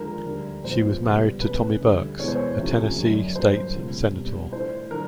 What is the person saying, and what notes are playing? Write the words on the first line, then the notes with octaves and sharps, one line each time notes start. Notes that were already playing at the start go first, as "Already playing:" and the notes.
She was married to Tommy Burks, a Tennessee State Senator.
Already playing: D#2 D3 F3 G#3 A#4
D2 D3 G3
A#2 F3 G#3 B3 C5
C#2 B2 G3 B3
B2 G#3 C#4 B4
D2 D3 G3
E2 B2 G#3 B3 C#5
C5
C#5
D2 C3 F3 A3 C#4
F#2 D3 F#3
G2 D3 F#3 A#3 C5
C#2 B2 G#3 C#4
B2 G3 C4
A2 E3 A3 D4 C5
D3 F#3 A#4